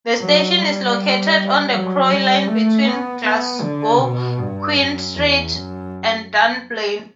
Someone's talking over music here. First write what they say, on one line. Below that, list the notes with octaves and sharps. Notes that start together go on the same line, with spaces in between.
The station is located on the Croy Line between Glasgow Queen Street and Dunblane.
F#3
G3
F#3
G3
A3
B3
B3
D3
B2
G2
F#2
E2
F#2